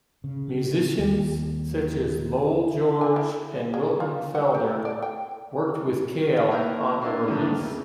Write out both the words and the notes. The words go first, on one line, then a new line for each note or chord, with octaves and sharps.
Musicians such as Lowell George and Wilton Felder worked with Cale on the release.
C#3
D#2
G#5
E4
G#4
F4
F#5
G4
D5
G5
A#3 E4 A#4 B4 G5
A#3 B3 D4 E4
D3 D#3 F3 A#3 B3 D4
E2 C#3